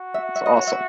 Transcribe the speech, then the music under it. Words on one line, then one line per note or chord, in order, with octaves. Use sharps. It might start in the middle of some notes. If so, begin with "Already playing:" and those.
It's awesome.
Already playing: F#4
E5
E5
D#5
C#5
E5